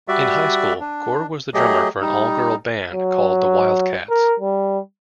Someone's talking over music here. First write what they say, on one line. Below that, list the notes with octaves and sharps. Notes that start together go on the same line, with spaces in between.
In high school, Gore was the drummer for an all-girl band called the Wildcats.
G3 F#4 D5 E5
D4
F#3 A3 G4 G#4 D#5
G3 D#4
F#3
A#4
G3